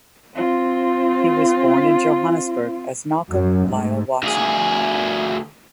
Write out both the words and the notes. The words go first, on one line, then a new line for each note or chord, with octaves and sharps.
He was born in Johannesburg as Malcolm Lyall-Watson.
C4 F4
F#2
G#2 A3
D2 G#4